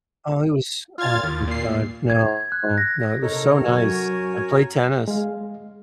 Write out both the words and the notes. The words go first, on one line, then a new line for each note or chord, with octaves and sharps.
Oh, it was Oh my god, no, no, it was so nice. I played tennis,
F4 F6 G#6 A6
D#2
A#2 C7
G#6
F#6
A#6
C3 D#4 A4 A#4 C#5
F#2 F#3 F#4 G#5
G#3 F5